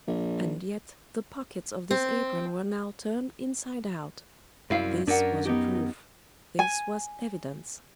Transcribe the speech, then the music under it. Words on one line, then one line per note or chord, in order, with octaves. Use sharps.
And yet the pockets of this apron were now turned inside out; this was a proof, this was evidence.
A#1
C4
C2 F#2 E4 F5
F#2 D4 A#4 F#5
B3 D#4 G4
G#5